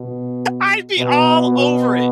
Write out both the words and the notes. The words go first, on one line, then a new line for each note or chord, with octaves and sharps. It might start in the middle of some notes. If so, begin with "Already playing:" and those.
I'd be all over it.
Already playing: B2
B2
B2